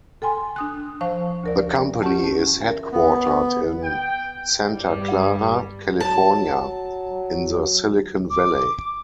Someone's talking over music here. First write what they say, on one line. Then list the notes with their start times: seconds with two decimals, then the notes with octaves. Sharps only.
The company is headquartered in Santa Clara, California, in the Silicon Valley.
0.22 A4 G5 G#5 C6
0.56 D4 D#6 F#6
1.01 F3 C5 F5 A5 C#6
1.44 D2 A#4 D5
2.03 C#4 F4 G4 F#5 A5
2.61 A#4 E5
2.92 B3
3.84 G5
4.73 G2 G3
6.00 F#3 A5
8.30 D6